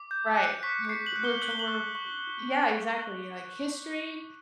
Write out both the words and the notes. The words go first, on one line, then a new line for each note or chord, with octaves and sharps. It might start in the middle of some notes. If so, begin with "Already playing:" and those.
Right, we we're tor y yeah, exactly, like history,
Already playing: D6
G6
F#6 C#7
C#6 B6
C#7
C#6 C7
F#7
F#6
G7
F#6 F#7
G7
F#7
C#6
C#6